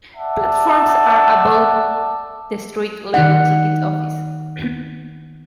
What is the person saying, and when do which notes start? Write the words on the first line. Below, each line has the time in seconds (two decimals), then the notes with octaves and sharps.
Platforms are above the street level ticket office.
0.16 D5 E5 F#5 A5
3.14 D#3 D#4 F#5